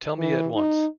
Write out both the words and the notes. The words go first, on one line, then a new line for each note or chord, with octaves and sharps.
Tell me at once.
E3
D#4